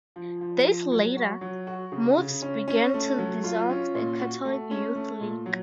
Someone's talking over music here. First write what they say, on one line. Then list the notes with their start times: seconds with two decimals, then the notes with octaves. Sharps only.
Days later, moves began to dissolve the Catholic Youth League.
0.16 F3
0.41 F3
0.65 F3
0.91 F#3
1.16 F#4
1.41 F#3
1.67 F#4
1.92 C#3
2.17 C#3
2.42 C#4
2.68 C#4
2.94 A3
3.18 F#3
3.44 F4
3.69 C#4
3.95 A#2
4.19 F#4
4.45 A3
4.71 C#4
4.95 A3
5.20 A#2
5.46 F#3